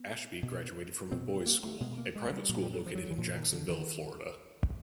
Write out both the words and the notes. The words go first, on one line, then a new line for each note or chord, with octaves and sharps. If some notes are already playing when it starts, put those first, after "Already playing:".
Ashby graduated from The Bolles School, a private school located in Jacksonville, Florida.
Already playing: B3
B2
B2 C4
C4
A#3
A3
B2 G#3
A#3
G#3
G3
A#2 F#3
G3
F#3
F3
F#3
E3
A#2 F3
D#3
D3
D#3